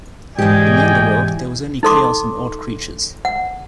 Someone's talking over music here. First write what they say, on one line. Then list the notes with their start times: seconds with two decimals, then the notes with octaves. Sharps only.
In the underworld, there was only chaos and odd creatures.
0.38 G#2 E3 G4 G#4 D5 D#5 G5 G#5
1.83 D#4 A4 C6 D6
3.25 F#5